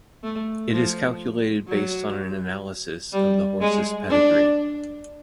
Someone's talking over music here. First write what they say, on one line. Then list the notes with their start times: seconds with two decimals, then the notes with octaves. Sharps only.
It is calculated based on an analysis of the horse's pedigree.
0.24 A3
0.72 F3
1.68 F#3
3.13 G3
3.61 G#3
4.10 D4